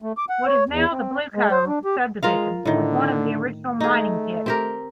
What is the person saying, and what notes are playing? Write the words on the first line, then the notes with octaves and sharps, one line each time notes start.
What is now the 'Blue Cove' subdivision, was one of the original mining pits.
A3
D6
F#5
C#5
E2
C4
G#3
C5
D4
G4
G#3 F4 A#4 F5
A2 D3 D#3
A3 D#4 G#4
C4 G4 A#4